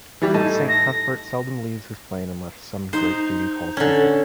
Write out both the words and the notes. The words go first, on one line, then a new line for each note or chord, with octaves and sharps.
Saint Cuthbert seldom leaves his plane unless some great duty calls him forth.
E3 G3 G4
A2 D#4 A4 A5
A#6
D#4 C5
D3 C#4